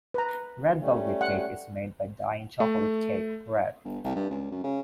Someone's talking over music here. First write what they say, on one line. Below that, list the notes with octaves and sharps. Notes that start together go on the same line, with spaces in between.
Red velvet cake is made by dyeing chocolate cake red.
B4 A#5
G3 A3 C#4
F#5
A3
G1
C2
G2
C#2
F#2
C#3